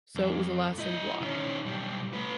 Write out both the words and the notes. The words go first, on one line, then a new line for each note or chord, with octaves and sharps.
So it was a lasting blot.
F2
E4 D#5
D#3 C#4
B1 G3
A3 B4